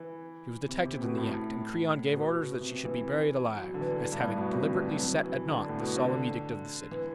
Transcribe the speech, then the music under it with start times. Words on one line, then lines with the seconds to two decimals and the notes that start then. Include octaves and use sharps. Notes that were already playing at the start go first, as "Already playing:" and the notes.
She was detected in the act, and Creon gave orders that she should be buried alive, as having deliberately set at naught the solemn edict of the city.
Already playing: E3
0.69 C3
0.85 C3
1.02 B2
1.17 A2
2.13 B2
2.61 C3
2.85 E3
3.57 F#3
3.74 D3
3.81 E3
4.12 G2
4.20 A2
4.36 B2
4.52 C3
4.65 D3
4.76 E3
4.88 F#3
5.00 F#3
5.24 E3
5.49 D3
5.69 A2
5.80 B2
5.96 D3
6.91 E3